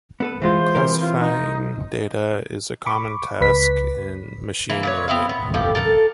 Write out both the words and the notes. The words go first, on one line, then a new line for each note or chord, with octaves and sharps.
Classifying data is a common task in machine learning.
B3 A4 B4
E3 G#3 F4 C5
C3 E3 A#4
F4
D#4
B5 C#6 D6
C#2 B4 B6
E3 A#3
A#2 B4 C#5
B3 C4 E4 F5
B3
A2 F3 G4
A4 A#4 F#5 A5